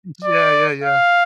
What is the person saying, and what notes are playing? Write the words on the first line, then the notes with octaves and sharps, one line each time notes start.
Yeah, yeah, yeah.
D5
F5